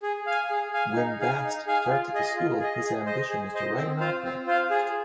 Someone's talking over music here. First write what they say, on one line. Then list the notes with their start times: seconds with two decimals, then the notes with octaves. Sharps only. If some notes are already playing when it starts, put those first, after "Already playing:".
When Bast starts at the school his ambition is to write an opera.
0.02 G#4
0.27 F5 G#5
0.50 G#4
0.74 F5 G#5
0.96 D#4
1.19 G#4 F5 G#5
1.44 D#4
1.67 G#4 F5 G#5
1.90 F4
2.13 G#4 D#5
2.37 F4
2.60 G#4 D#5
2.84 G#4
3.06 C5 D#5
3.30 G#4
3.54 C5 D#5
3.77 C4
4.00 F4 C5 F5
4.24 C4
4.47 F4 C5 F5
4.70 G#4